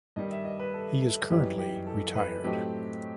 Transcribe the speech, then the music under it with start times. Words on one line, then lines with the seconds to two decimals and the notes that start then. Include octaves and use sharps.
He is currently retired.
0.16 G2 D#3 G3 D#5
0.31 E5
0.45 D#5
0.59 B4
0.74 A4
1.02 A4
1.30 F#2 E3 G3 D#4 G4
1.59 G4
1.87 A4
2.15 B4
2.44 A2 F#3 A3 C4 D#4 G4